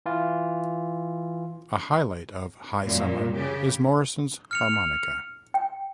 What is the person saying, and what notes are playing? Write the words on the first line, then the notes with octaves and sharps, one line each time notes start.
A highlight of "High Summer" is Morrison's harmonica.
E3 F4
F#2 A#2 G3
C#3 G4
F6 C#7 F7
G5